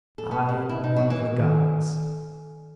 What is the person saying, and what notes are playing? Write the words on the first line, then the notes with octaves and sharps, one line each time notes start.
I am one of the gods.
A4
B3
C3
E4
D#4
F#3
E3
D#3